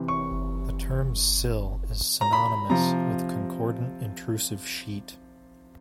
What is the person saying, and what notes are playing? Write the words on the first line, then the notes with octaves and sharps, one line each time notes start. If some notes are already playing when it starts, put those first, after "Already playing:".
The term "sill" is synonymous with "concordant intrusive sheet".
Already playing: C3 E3
C#6
A#5
B5
C3 F3 A#5